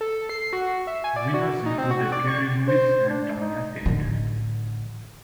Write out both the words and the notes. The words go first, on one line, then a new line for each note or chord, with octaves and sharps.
Winners included Kerry Louise and Tanya Tate.
A4
C7
F#4
E5
G#5
D5
F#4
D#4
C4
F#4
D5
C#6
C5
D4
D#4
A1 D3